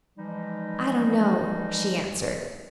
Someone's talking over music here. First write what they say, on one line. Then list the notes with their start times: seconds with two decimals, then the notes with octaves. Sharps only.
"I don't know," she answered.
0.18 E3 F3 G3 G#3 D#4